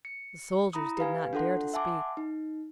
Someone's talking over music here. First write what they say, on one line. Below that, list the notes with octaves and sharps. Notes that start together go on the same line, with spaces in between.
The soldiers did not dare to speak.
C#7
E4 A#5 B5 D#6
G4 B4 F5 G#5
D4 F4 A4 F#5 C6
E5 F#5 G#5 A5 C6 D6
D#4